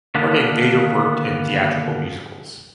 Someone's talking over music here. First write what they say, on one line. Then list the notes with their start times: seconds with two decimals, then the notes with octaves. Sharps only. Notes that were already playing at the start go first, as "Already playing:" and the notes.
Harding later worked in theatrical musicals.
0.15 D3 D#3 A#3 B3 D4